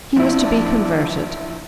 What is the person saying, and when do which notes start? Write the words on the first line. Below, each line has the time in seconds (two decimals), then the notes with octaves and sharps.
He was to be converted.
0.16 A#1 E4
0.34 D4